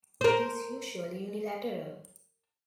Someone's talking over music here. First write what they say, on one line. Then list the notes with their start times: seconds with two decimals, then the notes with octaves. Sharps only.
It is usually unilateral.
0.21 A#4 C5